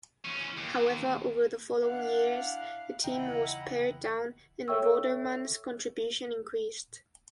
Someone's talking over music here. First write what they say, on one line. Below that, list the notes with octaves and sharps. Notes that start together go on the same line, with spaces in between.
However, over the following years, the team was pared down, and Vorderman's contribution increased.
E2 C#4
D#2
D4 E4 F5 F#5
E2 C#3 E3 E4 D#5 F#5 G5 A#5
A4 C#5 E5 G5 C#6 E6